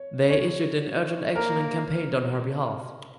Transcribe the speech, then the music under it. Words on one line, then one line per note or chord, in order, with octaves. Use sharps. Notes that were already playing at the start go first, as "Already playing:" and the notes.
They issued an Urgent Action and campaigned on her behalf.
Already playing: C#5
C#5
A#3 A#4